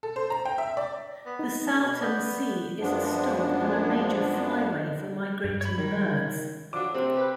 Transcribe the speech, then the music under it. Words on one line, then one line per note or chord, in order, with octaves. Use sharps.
The Salton Sea is a stop on a major flyway for migrating birds.
A4
C5
A#5
G5
E5
D5
B3
D#4
G#4 A5
B2
B3 D5 G6
F#2 F3 G#3 B3 D4
G2
C#5 B5
D#3 G3
F3 F#3 D4 D6
C3 C4
G4 B4